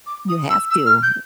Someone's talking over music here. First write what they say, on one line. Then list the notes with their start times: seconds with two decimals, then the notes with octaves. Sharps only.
You have to.
0.06 D6
0.28 D#6
0.49 E6
0.70 E6
0.85 F6
1.02 G6